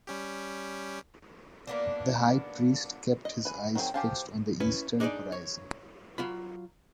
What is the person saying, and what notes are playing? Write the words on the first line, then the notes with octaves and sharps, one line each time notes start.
The high priest kept his eyes fixed on the eastern horizon.
G3 C#4 G4
A#3 B3 D4
D#5
B4 G#5
D#3 F#3 C4 G#4 G5
G4 G#4 C5 F5 A5
C#4 E4 B4
D4 D#4 G#4 C5 D5
C#5
F#3 F4 B5